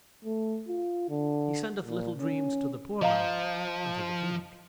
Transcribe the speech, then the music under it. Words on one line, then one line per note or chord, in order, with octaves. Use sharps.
He sendeth little dreams to the poor man and to The King.
A3
F4
D3
A#2
C#4
F3 D#5 F5 A#5